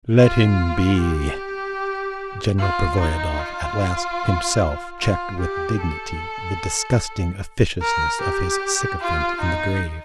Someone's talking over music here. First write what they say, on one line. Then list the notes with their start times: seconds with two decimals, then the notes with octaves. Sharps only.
"Let him be." General Pervoyedov at last himself checked with dignity the disgusting officiousness of his sycophant in the grave.
0.18 F4
0.99 G4
2.59 F4
2.99 D#4
3.39 F4
5.00 F4
5.40 G4
5.80 A4
7.82 A#4
8.21 G4
9.01 F4
9.41 D#4